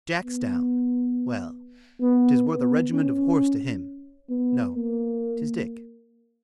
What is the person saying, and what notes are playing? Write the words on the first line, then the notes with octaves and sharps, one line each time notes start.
Jack's down! well,--'tis worth a regiment of horse to him.--No--'tis Dick.
B3
B3
B3
C#4
B3
A#3